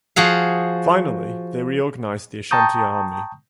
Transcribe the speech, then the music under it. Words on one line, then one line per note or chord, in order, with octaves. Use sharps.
Finally, they reorganized the Ashanti army.
F3 F#4 G#4 F5
G5 A5 A#5 C#6 D#6 G6